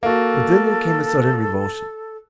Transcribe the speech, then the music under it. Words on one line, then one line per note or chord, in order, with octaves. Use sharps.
But then there came a sudden revulsion.
A#3 F#4 A4